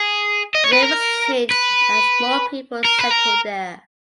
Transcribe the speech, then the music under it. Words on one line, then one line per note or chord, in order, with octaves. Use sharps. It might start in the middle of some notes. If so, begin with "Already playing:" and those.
The name was changed as more people settled there.
Already playing: G#4
D#5
C#5
B4
A#4
B4
A#4
B4
A#4